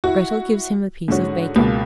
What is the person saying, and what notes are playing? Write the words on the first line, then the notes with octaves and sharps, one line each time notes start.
Grettel gives him a piece of bacon.
E4 F#4
G#2 D3 C#4 F#4
C#2 B2 A#3